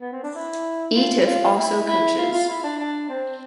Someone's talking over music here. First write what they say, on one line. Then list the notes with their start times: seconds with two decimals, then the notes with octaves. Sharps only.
Eatough also coaches.
0.01 B3
0.12 C4
0.23 D4
0.35 E4
0.96 F4
1.21 E4
1.26 F4
1.57 E4
1.88 E4
2.18 F4
2.33 F4
2.49 E4
2.64 D4
2.79 D4
3.09 C4